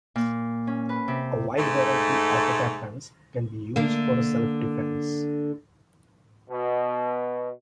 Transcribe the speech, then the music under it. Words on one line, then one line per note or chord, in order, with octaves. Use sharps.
A wide variety of weapons can be used for self-defense.
A#2
C#4
B4
C3
G#2 A3
D3 A#3
B2